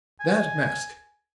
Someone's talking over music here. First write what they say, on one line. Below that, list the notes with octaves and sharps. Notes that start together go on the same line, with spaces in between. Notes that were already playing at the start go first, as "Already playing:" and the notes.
That mask!
G#5